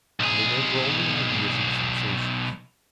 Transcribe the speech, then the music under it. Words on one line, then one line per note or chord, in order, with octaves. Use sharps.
I remember only ideas and sensations.
B1 G#4